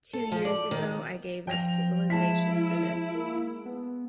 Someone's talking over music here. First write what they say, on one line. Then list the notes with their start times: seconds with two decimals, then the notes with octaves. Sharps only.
Two years ago I gave up civilization for this.
0.13 A4
0.32 F3
0.45 D5
0.71 D#3
1.47 F3 G5 A#6 F7
2.10 G#3 E4 A5 B6
3.14 A#3
3.66 B3